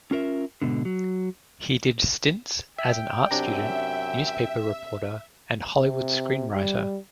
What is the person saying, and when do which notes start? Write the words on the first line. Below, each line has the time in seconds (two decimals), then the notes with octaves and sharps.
He did stints as an art student, newspaper reporter and Hollywood screenwriter.
0.11 C#4 F4 A#4 E5
0.62 G#2 B2 D3
0.85 F#3
2.78 E5 G5
3.31 F#2 C3 D4 E5 A#5
5.78 C3
6.54 G3